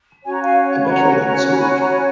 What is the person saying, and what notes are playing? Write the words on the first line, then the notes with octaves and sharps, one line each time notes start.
A battle ensued.
C#4 F#4 C#5 G#5
A#5
F5 G#5
B5
F#5 A#5
A#5
G#5 B5
A#5
G#5 B5